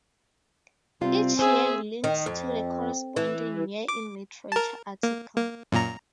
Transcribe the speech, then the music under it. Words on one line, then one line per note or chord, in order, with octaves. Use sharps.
Each year links to the corresponding "year in literature" article.
C3 G3 C4 F4
G#4 C5 E5 G#5
D#3
F2
E3
D6
A#4 A5
A#3
A#3
F#2 A#2 A#5